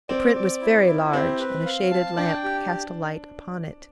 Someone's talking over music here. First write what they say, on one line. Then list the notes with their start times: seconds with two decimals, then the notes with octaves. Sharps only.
The print was very large, and a shaded lamp cast a light upon it.
0.09 C4 D5
0.35 D5
0.61 E4
0.87 E4
1.13 C4 G4
1.39 B4
1.66 F5
1.91 A5
2.17 D4 G5
2.44 G4